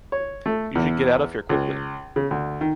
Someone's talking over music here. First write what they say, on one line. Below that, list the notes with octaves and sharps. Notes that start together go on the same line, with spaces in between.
You should get out of here quickly.
C#5
A3
E2
C#2
C#3
D2
D#3